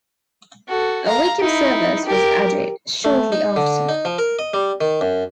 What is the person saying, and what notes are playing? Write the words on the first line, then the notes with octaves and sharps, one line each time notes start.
A weekend service was added shortly after.
F#4 A4
F5 A#5
D#4 E4
G4 A#4
A3
D#4
D3
D#4
F3
A#4
D#5
G3
D#3
F#2